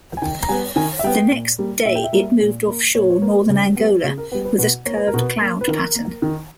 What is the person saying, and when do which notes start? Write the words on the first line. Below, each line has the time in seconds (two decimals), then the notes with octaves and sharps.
The next day it moved offshore northern Angola with a curved cloud pattern.
0.17 G#5
0.22 D#3 G5
0.43 A#5
0.49 G3 B3 G#5
0.76 D#3 G#5
0.99 E5
1.04 G3 B3 G5
1.31 A#2
1.58 G3 A#3
1.85 A#2 E5
1.95 G5
2.04 E5
2.13 G3 A#3
2.40 A#2
2.67 A#3
2.95 A#2 C#5
3.10 C#5
3.22 A#3 B4
3.49 C#3
3.77 G3 B3
4.03 C#3 G#4
4.18 A#4
4.32 G3 B3 B4
4.45 B4
4.58 B2 B4
4.86 A#3 C#5
4.97 B4
5.07 A#4
5.14 B2 B4
5.41 A#3
5.61 B4
5.68 D#3 A#4
5.96 A#3
6.22 D#3